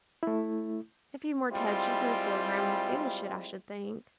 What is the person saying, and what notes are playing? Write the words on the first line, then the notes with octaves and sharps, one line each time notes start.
'A few more touches in the foreground will finish it, I should think.
A3 E4
G3 G#3 C4 E4 F4